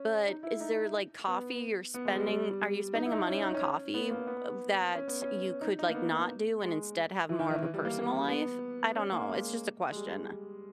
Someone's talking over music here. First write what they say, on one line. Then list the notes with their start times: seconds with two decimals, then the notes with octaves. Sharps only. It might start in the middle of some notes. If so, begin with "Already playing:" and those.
but is there, like, coffee you're spending are you spending a money on coffee of that you could, like, not do and instead have more of a personal life? I don't know, it's just a question,
Already playing: C#4
0.28 D#4
0.43 E4
0.61 D#4
1.27 B3
1.94 B3
2.05 G#3
2.16 G3
2.28 G3
2.95 D#4
3.06 E4
3.12 D#4
3.28 C#4
3.41 D#4
3.54 C#4
3.94 B3
4.11 A#3
4.27 B3
4.95 C#4
5.08 B3
5.22 C#4
5.61 D#4
5.79 D#4
5.89 A#3
5.94 B3
6.62 G#3
7.29 E3
7.39 D#3
7.50 E3
7.63 E3
7.74 G3
7.85 A#3
8.28 B3
8.96 C#4
9.12 A#3
9.29 G#3
9.92 G#3
9.95 G3